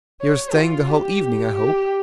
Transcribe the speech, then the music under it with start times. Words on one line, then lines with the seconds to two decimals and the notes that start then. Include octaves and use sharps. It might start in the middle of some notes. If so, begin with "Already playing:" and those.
"You are staying the whole evening, I hope?"
0.22 C#5
0.55 F4
0.89 G4
1.55 G4